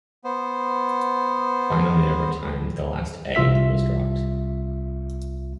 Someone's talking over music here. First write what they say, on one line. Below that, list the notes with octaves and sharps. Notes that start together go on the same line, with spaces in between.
Finally over time the last "a" was dropped.
B3 C5
C2 F4 E5 B6